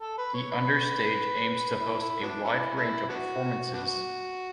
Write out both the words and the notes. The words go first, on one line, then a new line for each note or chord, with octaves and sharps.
The Understage aims to host a wide range of performances.
A4
B4
C#5
B4
E4
E4
F#3 B3 D4
A3 C#4 E4
A3 C#4 E4
B3 D4 F#4
B3 D4 F#4